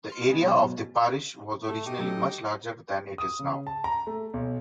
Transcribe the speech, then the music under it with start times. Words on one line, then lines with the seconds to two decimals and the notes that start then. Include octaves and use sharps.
The area of the parish was originally much larger than it is now.
0.10 C6 F6
0.30 G#3 B3
0.43 B1 B2
1.62 A3
1.86 D#4 G4
1.99 F#3 A3 C#4
3.18 D#6
3.39 C#3
3.67 A5
3.84 A#5
4.07 A3
4.34 B1